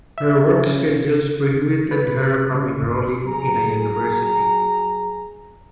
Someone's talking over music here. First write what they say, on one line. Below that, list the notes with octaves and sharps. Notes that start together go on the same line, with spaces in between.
Her work schedules prohibited her from enrolling in a university.
E5
C#3
B4
C#3
F#3 G#4 A#5